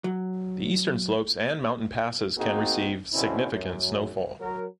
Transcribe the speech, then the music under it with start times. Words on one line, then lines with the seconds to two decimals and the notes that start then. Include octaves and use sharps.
The eastern slopes and mountain passes can receive significant snowfall.
0.04 F#3
2.38 A#3 C4 D#4 F#4 G#4
3.13 B2 D3 C4 C#4 E4
3.52 F#2
4.40 F#3 A#4